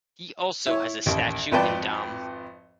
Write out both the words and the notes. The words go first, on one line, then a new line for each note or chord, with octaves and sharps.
He also has a statue in Damme.
E4 C#5
A1 D#2
G#1 F2 B4 D5 G5 A5